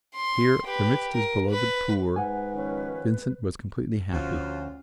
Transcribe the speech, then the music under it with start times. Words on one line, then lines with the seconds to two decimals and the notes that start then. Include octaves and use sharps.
Here, amidst his beloved poor, Vincent was completely happy.
0.15 C6
0.64 G4 B4
1.13 A#4
1.51 B4
2.16 G#2 B4 F#5 G#5
2.54 D#3 F3 C#4
4.12 D2 F3 C#4 F4 F#4